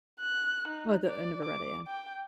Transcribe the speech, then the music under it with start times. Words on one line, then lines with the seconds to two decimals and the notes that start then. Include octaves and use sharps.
We the, I never read it, yeah.
0.21 F#6
0.68 D#4
1.06 D5
1.45 D6
1.87 G5